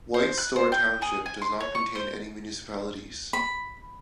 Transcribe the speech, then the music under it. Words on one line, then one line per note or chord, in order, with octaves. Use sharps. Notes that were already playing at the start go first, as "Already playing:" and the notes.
White Store Township does not contain any municipalities.
C5
F#6
C5
G5
G#4
G#5
C6
C#5
C#6
C5
B5